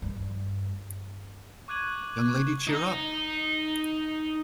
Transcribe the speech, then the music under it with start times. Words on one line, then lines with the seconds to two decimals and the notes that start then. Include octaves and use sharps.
Young lady, cheer up!
0.02 G2
1.68 C#6 D6 F#6 G#6 D#7 F#7
2.67 D#4 A#5